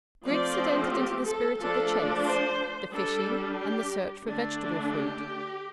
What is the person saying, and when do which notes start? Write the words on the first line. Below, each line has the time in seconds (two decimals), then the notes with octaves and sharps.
Griggs had entered into the spirit of the chase, the fishing and the search for vegetable food.
0.25 F3 A3 C4 D5
0.91 G4
1.25 A4
1.59 F3 A3 D4 A4
2.26 C5
2.91 G3 D4 A4
3.58 G4
4.25 D3 A3 D4
4.91 G4